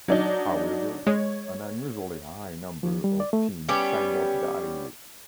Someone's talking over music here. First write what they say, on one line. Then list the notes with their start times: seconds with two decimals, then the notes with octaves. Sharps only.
However, an unusually high number of teams signed up that year.
0.08 F#3 D4 D#4
1.07 G#3 C#5
2.83 F3
3.04 G3
3.20 D5
3.33 A3
3.69 G3 B3 C#4 G4